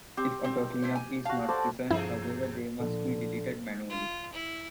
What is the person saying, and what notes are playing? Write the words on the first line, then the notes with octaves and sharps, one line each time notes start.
If auto-cleanup is not present, however, they must be deleted manually.
C4 G4
C4
A3 E4 C5
G#5
F#4 F5 A5
A4 C5 D5
G2 B2 F3 E4 G#4 A4
A#2 D3 F3
F4
E4